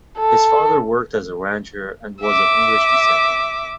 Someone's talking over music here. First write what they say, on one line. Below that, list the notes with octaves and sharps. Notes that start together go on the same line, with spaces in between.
His father worked as a rancher and was of English descent.
A4
E5 D6